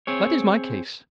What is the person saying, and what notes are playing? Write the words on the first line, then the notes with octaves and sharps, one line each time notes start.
"That is my case."
C4 G#4 C#5